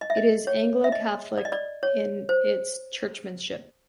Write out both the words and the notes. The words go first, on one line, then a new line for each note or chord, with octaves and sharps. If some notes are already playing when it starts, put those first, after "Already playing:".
It is Anglo-Catholic in its churchmanship.
D#5
E5
D#5
C#5
E5
D#5
D5
D#5
D5
C#5
C5